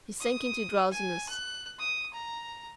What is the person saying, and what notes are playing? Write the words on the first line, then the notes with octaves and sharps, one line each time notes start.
He sank into drowsiness.
D#6
G#5
F#6
D#6
A#5